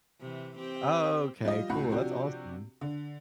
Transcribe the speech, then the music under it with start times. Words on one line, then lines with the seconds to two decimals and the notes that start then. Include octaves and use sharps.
Oh, okay, cool. That's awesome.
0.20 C3 E3
0.56 C4 G4
1.44 F3 G3 F4 D#5
1.70 C#2 A2 F#4 F#5 B5
1.90 C3 F3 D4 F#4 G4
2.81 D3